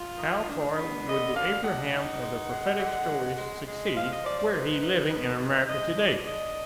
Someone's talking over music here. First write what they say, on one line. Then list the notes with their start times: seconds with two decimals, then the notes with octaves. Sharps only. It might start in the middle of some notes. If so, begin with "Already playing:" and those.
How far would the Abraham of the prophetic stories succeed, were he living in America to-day?
Already playing: F4
0.18 D#3
0.47 D4
0.76 B3
1.05 D3 D#5
1.33 D4 F5
1.63 D#4 F#5
1.92 D#4
2.21 G#3
2.50 G#3
2.78 D3
3.08 G#3
3.37 G#3
3.66 G#3
3.94 F3 F5
4.09 D#5
4.23 F3 D5
4.38 D5
4.53 D#4 B4
4.82 D#4
5.10 D#3
5.39 G#3
5.68 G#3 D#5
5.97 D4
6.26 D4 D#5